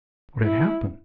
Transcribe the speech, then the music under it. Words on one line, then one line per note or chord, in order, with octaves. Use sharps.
What had happened?
E4